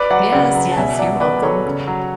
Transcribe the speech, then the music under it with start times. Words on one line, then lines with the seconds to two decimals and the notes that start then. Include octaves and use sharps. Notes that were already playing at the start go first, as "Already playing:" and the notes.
Yes, yes. You're welcome.
Already playing: B4 D5
0.10 F#3 D5 F#5
0.32 C#3 D5 F#5
0.55 F#3
0.72 A5
0.77 B2 E5 G#5
0.99 F#3 D5 F#5
1.21 B2 B4 D5
1.43 F#3 A4 C#5
1.66 C#3
1.87 F#3